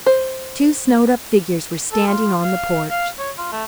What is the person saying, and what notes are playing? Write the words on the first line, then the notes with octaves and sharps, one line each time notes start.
Two snowed-up figures were standing on the porch.
C5
A4
F4
F5
F5
C#5
F4
A3